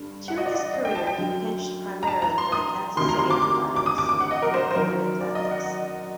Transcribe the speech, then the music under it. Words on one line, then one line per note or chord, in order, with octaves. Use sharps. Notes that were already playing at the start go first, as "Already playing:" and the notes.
During his career, he pitched primarily for the Kansas City Athletics and Oakland Athletics.
Already playing: G2 D3
F#5
D#5
D5
D#5
D#5
G5
A5
G5
F#2 D3
A#5
A5
A#5
C6
D#6
D2 C3 D#3 C6
A#5
C6
D6
D6
D6
D#6
D6
D6
F#5
D#5
A#4
C5
C5
F#2 D#3 A#4
D5
D#5
F#5
D#5